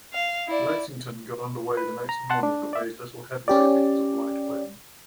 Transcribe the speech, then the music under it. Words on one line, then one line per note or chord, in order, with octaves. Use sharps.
"Lexington" got underway the next morning but made little headway because of light wind.
F5
E4 D5
B4
A#5
F#5 A5 C6
D4
D5 E5
C#4 G4 D5